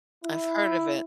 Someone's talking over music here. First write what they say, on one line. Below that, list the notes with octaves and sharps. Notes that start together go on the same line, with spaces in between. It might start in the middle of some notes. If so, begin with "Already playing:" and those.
I've heard of it.
E4